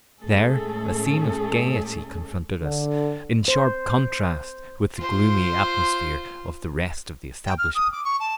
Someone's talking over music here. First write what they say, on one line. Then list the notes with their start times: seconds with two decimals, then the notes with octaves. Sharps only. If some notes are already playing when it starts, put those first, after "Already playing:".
There a scene of gayety confronted us, in sharp contrast with the gloomy atmosphere of the rest of the establishment.
0.22 A2 G#3 A3 C#4 G#4 A4
2.62 D3
3.48 C5
4.97 F4 C5
7.46 G5
7.58 F6
7.74 D#6
7.92 D6
8.04 C#6
8.19 A5